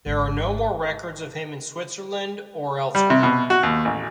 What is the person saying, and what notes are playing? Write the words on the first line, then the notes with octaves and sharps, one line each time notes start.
There are no more records of him in Switzerland or elsewhere.
G#1
G3
C3
B2
F#4
D#2
A1